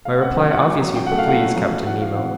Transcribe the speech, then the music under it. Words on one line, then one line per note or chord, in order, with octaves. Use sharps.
My reply obviously pleased Captain Nemo.
A3 F5
C#4 F#5
F#3 G5
E4 F#5
F#3
F#3
C#4 G5
A3 F#5
F5
E4 F#5
C#4
F#3
F#3
E3 F#5
E3 F5
C3 F#5